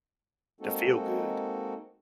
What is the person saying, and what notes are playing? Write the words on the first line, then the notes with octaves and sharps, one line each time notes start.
to feel good.
G#3 A#3 C4 D#4 F#4 A4